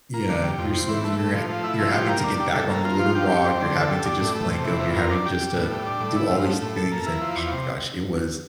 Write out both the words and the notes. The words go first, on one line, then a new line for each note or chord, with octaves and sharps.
Yeah, you're swimming. You're ha you're having to get back on the little rock. You're having to just flank 'em. You're having just to do all these things, and, oh my gosh, it was
A#3
D3
G3
F2
C4
E3
A3
A2
F3
A3
E4
F3
G4
A#3
D4
G3
A4
A#3
F4
F3
G4
G3
C4
D3
A4
G3
D4
A2
A3
C3
E3
F2
A#4
D4
G4
G3
A2
G3
D4
A2
E4
F3
A3
A2
A4
A#3
E4
F3
E2
C3